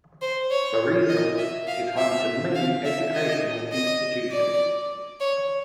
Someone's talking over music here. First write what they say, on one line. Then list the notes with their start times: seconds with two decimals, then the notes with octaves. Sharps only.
Barisal is home to many educational institutions.
0.22 C5
0.51 C#5
1.09 D#5
1.38 E5
1.67 F5
1.97 E5
2.55 F5
2.85 E5
3.15 D#5
3.72 D#5
4.31 D5
5.20 C#5